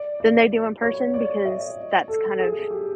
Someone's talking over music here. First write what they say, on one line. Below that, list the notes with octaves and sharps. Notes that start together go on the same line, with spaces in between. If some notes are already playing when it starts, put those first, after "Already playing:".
than they do in person, because that's kind of
Already playing: D5
D5
C#5
D5
D#5
A4
G#4
G4